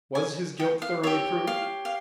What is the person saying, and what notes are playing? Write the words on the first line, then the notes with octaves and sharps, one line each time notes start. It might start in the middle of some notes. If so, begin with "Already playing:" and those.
Was his guilt thoroughly proved?
G#5
G5
F5
G4 C#5 E5
F5
F5